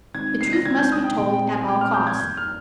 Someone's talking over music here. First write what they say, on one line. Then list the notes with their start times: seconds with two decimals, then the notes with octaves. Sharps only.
The truth must be told at all costs.
0.14 C3 D#3 G#3 C4 D#4 G#6
0.41 C7
0.53 A#6
0.66 C3 D#3 G#3 C4 D#4 G#6
0.78 G6
0.92 D#6
1.04 G5
1.17 A#2 G#3 C4 G5
1.34 G5
1.51 G#5
1.68 A#2 G#3 C4 G5
1.81 F6
1.94 G6
2.07 G#6
2.20 F2 D#3 G3 A#3 G6
2.37 F6